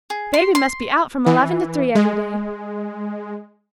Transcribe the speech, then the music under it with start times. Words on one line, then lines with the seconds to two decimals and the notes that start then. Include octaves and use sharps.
Baby must be out from eleven to three every day.
0.10 G#4
0.34 C6
0.55 C6
1.26 E3
1.95 G#3